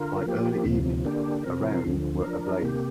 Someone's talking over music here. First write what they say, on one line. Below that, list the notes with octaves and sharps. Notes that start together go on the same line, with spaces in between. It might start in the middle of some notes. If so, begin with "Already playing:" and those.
By early evening, around were ablaze.
Already playing: D3 F4 A#4
F3 A#3 G4
D2 C3 F3
D3 A#3 D4 G4
C3 F3 C4 A#4
D2 D3 F3
F3 D4 A#4
C3 A#3 G4